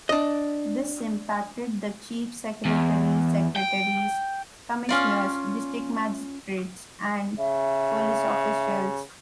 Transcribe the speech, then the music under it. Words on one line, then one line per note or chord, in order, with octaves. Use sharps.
This impacted the Chief Secretary, Secretaries, Commissioners, District Magistrates, and police officials.
D4 D#5
E2
G5
C#4 F4 D5
C#3 E5